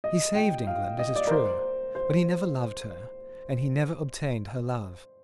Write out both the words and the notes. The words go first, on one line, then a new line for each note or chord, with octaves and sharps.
He saved England, it is true; but he never loved her, and he never obtained her love.
D#5
G5
F5
D#5
D5
A#4
C5
C5